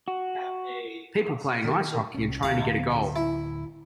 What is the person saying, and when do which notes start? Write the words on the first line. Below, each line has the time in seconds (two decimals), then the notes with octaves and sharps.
People playing ice hockey and trying to get a goal.
0.08 F#4
1.65 D#3
2.14 C2 C#4
2.43 D1 F5 A#5
3.16 E4